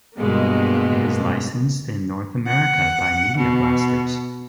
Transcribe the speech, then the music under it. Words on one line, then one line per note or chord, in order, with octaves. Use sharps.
It is licensed in North America by Media Blasters.
G2 B2 G#3 A#3
F#5
B2